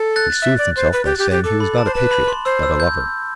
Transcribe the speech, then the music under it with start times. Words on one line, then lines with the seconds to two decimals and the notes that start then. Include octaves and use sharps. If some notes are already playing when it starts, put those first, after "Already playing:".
He soothed himself by saying he was not a patriot, but a lover.
Already playing: A4
0.16 F#6 A6
0.42 E5
0.58 D5
0.76 C5
0.93 B4
1.06 G4
1.18 G4
1.31 G4
1.44 A4 D6
1.60 B5
1.78 A5
1.85 C5
1.95 B4 A5
2.11 B5
2.28 C6
2.45 C5 E6
2.63 E6
2.80 G6